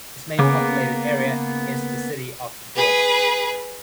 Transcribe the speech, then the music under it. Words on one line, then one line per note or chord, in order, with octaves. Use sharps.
Its main populated area is the city of Kigoma.
C#3 A#3 B3 D6
G#4 B4